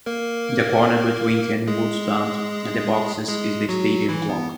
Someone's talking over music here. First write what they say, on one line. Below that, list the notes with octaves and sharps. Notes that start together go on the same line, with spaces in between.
In the corner between the Kenilworth Stand and the boxes is the stadium clock.
A#3 A#4
G#3 G#4
G#3 G#4
F#3 F#4
E3 E4
B3